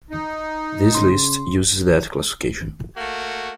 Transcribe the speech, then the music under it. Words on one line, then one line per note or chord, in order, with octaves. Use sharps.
This list uses that classification.
D#4
C#3 C6
A3 A#3 F#4